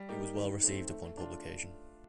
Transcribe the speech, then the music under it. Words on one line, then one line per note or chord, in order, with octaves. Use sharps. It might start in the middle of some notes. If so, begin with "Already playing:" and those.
It was well received upon publication.
Already playing: G3
A#3 D#4 G4
D#3
A3 C4
A3
D4 F4